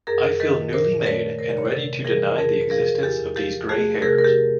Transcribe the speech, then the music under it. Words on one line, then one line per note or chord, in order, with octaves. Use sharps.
I feel newly made and ready to deny the existence of these grey hairs.
F#2 G#4 A#4
D#3 A4 B4
A#2 A#4 C5
D5
A3 B4 C#5
C3 A#4 C5
D5
C#5
C5
C3 A4 B4
E3 G#4 A#4
F2 G#4 A#4
B4
F3 G#4 A#4
E2 G4 A4
F3 G4 A4
A3 F#4 G#4
C3 G#4 A#4
A#4
G4 A4